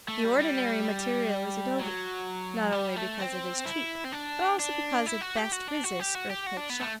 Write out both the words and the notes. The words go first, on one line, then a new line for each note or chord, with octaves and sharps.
The ordinary material is adobe, not only because it is cheap, but also because it best resists earthquake shocks.
A3
G3
G3
F#3
G3
A3
C4
E4
C4
D4
D4
E4
F#4
G4
F#4
D4
F#4
G4
F#4
G4
F#4
D4
B3
A3